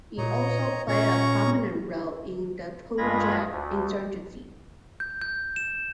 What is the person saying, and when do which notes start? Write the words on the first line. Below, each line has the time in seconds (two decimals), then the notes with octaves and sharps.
It also played a prominent role in the Punjab insurgency.
0.18 A#2 C#5 D#5 A#5
0.88 A#2 C#4 A#5 C#6
2.98 G2 G#3 F4 B5 G#6 A#6
3.48 D2
5.00 G6
5.22 G6
5.56 E7